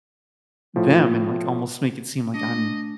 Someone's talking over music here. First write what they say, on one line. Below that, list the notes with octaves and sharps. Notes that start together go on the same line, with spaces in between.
them," and, like, almost make it seem like I'm
A2 F3
A3 D4 D#5